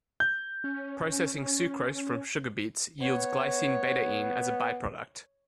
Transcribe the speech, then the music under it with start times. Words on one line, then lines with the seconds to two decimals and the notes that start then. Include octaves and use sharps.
Processing sucrose from sugar beets yields glycine betaine as a byproduct.
0.20 G6
0.64 C#4
3.01 B3 C#5